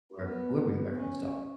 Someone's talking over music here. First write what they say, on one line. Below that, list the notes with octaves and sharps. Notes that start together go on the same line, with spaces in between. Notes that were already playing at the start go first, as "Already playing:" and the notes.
or whoever you referenced, sorry.
B3
C#4